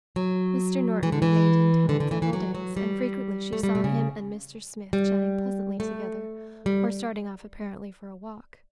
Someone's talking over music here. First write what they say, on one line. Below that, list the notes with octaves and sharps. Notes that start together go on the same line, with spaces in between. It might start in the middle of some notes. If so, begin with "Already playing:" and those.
Mr. Norton remained in town several days, and frequently she saw him and Mr. Smith chatting pleasantly together, or starting off apparently for a walk.
F#3
E3
D3
E3
D3
D3
E3
E3
F#3
F#3
G3
A3
G3
B2
C#3
G3
A3
G3